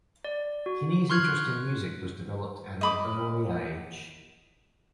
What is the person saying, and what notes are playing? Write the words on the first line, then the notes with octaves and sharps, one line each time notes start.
Kinney's interest in music was developed at an early age.
D5
F#4
C6 C#6 F6 F#6 G#6
D#5 B5 D6